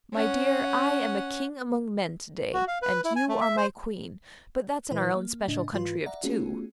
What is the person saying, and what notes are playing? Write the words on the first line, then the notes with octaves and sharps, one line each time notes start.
"My dear, I am a king among men to-day, and you are my queen, but that's in our own special country of two."
C#4 F#5
F#4
F5
B4
E4
G#5
A3
E5
C5
A#2 E3 E4 B4 C5
A#3
A2 C#3 D4 D#5
G#2 E3 F4 B4 C6
D5 E5 F#5 A#5
A3 B3 C#4 F4 F#4 G#4